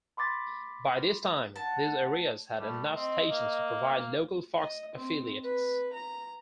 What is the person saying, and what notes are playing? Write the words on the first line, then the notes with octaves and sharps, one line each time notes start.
By this time, these areas had enough stations to provide local Fox affiliates.
B5 C6 D6 A6 B6
F#5 A5
G3 A3
C4 D#5
A#3
D#5
C4
B4
A#5